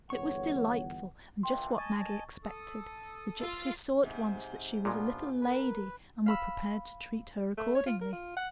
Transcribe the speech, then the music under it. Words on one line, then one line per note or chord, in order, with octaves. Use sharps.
It was delightful, and just what Maggie expected; the gypsies saw at once that she was a little lady, and were prepared to treat her accordingly.
G1 E2 C#5 F#5 C#6
A#2 D3 E3 G5 C6
D#5 G#5 A5 C#6 A6
A4 D#6
F4 E6
G#2 C3
A#2 G#3 B3 D4 F4
A#4 B4
F5 B5 E6
A3
C#5
F4
A#4
F4
F#5